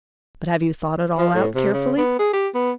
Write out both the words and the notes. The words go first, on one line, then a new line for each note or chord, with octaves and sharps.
But have you thought it all out carefully?
F3
A2
C3
C#3
B3
G#4
G4
B3